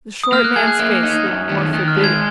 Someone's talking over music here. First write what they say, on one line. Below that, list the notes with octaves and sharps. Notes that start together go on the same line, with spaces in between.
The short man's face looked more forbidding.
D#6
A#3 F6
F#6
G#4 G#6
F#6
A#3 F6
F6
D#4
G#6
F#2
D#3
D#3 F#6
F6
G#3
G#6